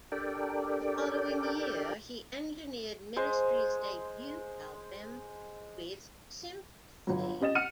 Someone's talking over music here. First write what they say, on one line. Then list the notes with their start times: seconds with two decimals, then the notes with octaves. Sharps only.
The following year, he engineered Ministry's debut album, "With Sympathy".
0.12 D4 G4 A4 A#4 D5 G5
3.16 G#3 C5
7.07 G1 F#3
7.41 C#4 G4 D#5 A6 E7
7.55 F#5 F6 C#7 D#7